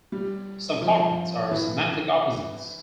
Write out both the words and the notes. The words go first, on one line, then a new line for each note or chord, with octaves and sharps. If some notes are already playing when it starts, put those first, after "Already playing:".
Some cognates are semantic opposites.
G3
F3
E3